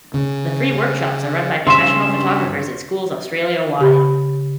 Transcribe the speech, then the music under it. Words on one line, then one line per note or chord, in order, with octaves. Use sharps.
The free workshops are run by professional photographers at schools Australia wide.
C#3
G2 C#3 C#4 E5 C6
C#3 G4 B5